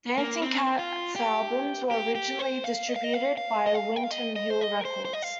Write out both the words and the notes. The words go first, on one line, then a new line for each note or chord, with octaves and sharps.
Dancing Cat's albums were originally distributed by Windham Hill Records.
A#3
C4
F4
G4
G4
G4
C5
F5
D#5
F5
D#5
F5
F5
D#5
F5
G5
F5
D#5
D#5
C5
D#5
A#4
C5
C5
D#5
F5